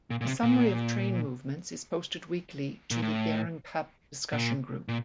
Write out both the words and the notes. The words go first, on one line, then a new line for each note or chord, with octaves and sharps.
A summary of train movements is posted weekly to the Gheringhap Discussion Group.
A#2
A#2
C3
A#2
A#2
A2
A#2
A#2